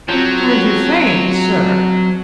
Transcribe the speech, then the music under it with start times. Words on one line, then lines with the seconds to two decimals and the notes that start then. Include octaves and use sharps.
'Turned you faint, sir!
0.09 F3 F#3 C4